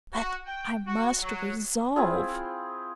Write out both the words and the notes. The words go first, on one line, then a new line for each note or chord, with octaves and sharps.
But I must resolve.
F#4
G5
F#4
F#3
C4 E4 F4 G#4